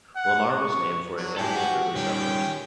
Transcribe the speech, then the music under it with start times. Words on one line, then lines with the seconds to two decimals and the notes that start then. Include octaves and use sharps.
Lamar was named for a family of early settlers.
0.16 F#5
0.58 C#6
1.17 F#3 D4
1.38 E4 G4 A4 G#5
1.55 F#4
1.95 D#3 G3 C#4 G4 G5